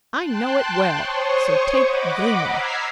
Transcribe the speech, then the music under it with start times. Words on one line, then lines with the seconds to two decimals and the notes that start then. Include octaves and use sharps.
"I know it well, so take Grimaud."
0.17 G5 A5 C6 F#6
0.96 C5 C#5 C#6 D#6
1.80 D#5 F#5 B5 D6
2.41 A#5 E6 F6 G#6 B6 C7